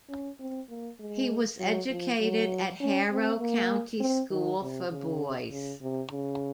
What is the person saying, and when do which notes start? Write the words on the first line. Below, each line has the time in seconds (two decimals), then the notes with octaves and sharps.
He was educated at Harrow County School for Boys.
0.09 C#4
0.40 C4
0.70 A#3
1.00 G#3
1.60 F#3
1.90 F3
2.20 F#3
2.80 C#4
3.11 C4
3.40 A#3
4.00 C4
4.31 D#3
4.62 C3
4.91 C#3
5.51 C#3
5.82 C3
6.12 C#3